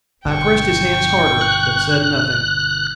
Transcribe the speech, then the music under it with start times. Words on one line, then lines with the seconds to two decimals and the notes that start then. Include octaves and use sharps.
I pressed his hands harder, but said nothing.
0.25 G1 G2 B2 G5 C#6
1.41 F#6